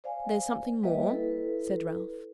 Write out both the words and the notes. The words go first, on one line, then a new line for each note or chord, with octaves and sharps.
'There's something more,' said Ralph.
C5 D5 F5 G#5
G3 A#3 B4 D#5 E5
E4 A4 B4